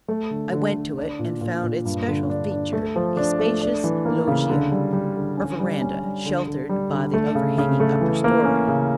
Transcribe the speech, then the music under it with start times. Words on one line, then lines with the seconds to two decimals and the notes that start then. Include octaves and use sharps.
I went to it, and found its special feature a spacious loggia or verandah, sheltered by the overhanging upper story.
0.08 A3
0.30 D3
0.52 D3
0.75 D3
0.98 D4
1.19 A#2
1.41 A#2
1.64 A#2
1.85 G2
2.08 D3
2.30 D4
2.51 D4
2.73 A3
2.96 F3
3.17 D4
3.39 A3
3.61 D4
3.84 E3
4.05 A#3
4.27 C#3
4.50 D3
4.72 G3
4.93 G3
5.16 D3
5.37 C#4
5.60 G3
5.82 C#4
6.03 G3
6.26 D3
6.47 D3
6.69 G3
6.91 D3
7.13 A3
7.35 C#3
7.58 C#3
7.80 A3
8.01 E3
8.24 A#3
8.45 C#4
8.68 C#3